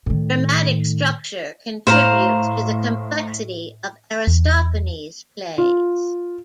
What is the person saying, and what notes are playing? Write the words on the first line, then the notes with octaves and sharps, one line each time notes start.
Dramatic structure contributes to the complexity of Aristophanes' plays.
A2 D#3
A2 C5 F5 A#5
E2
F4